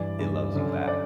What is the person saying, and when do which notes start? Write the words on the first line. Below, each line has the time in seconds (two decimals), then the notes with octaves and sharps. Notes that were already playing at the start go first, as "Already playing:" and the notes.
it loves you back
Already playing: G2 E3 D5
0.19 G2 E3
0.54 F#2 D3
0.88 D5